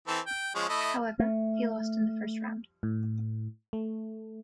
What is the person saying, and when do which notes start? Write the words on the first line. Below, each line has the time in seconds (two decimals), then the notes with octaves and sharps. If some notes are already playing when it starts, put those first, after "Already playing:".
However, he lost in the first round.
0.08 E3 C4 A4
0.27 G5
0.55 F3 G#3 C#4
0.69 A3 E4 D#5
1.19 A3
2.83 A2
3.73 A3